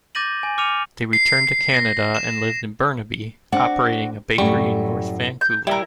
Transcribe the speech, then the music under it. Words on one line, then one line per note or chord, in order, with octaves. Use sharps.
They returned to Canada and lived in Burnaby, operating a bakery in North Vancouver.
D6 G6 A6 A#6 D#7 F#7
G#5
D6 F6 C#7 D#7 F7
C7
C7
A#6
E7
C4 D4 F#4 D5
F#2 A2 G3 C#6
G6
G3 E4 A#4